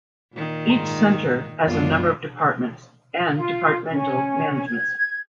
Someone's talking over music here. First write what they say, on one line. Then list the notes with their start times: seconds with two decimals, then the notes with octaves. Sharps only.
Each centre has a number of departments and departmental managements.
0.34 A#2 D#3
0.68 G#2 A#5 C6
1.67 F#1 B1 G#3 D4 F4
3.35 F4
3.91 C#4
4.66 G#6